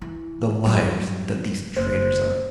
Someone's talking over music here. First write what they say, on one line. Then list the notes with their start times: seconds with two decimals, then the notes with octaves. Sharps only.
The liars that these traders are!'
0.02 E3
0.65 G2 F#3
1.77 F#1 C5